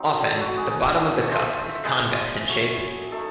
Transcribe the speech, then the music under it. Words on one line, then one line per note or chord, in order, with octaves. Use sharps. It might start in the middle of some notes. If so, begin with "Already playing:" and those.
Often, the bottom of the cup is convex in shape.
Already playing: F#3 C4 D#4
A4
F#4
G#3 D#4 G#4
A3 D#4 A4
C5
E5
G#3 C4 E4 D#5
F#3 A3 C#4 C#5
A3 D#4 A4